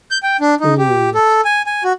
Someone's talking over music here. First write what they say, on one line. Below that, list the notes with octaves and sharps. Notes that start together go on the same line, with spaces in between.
Ooh, yes.
G6
G5
D4
D#4
G4
A4
G#5
G#5
F#4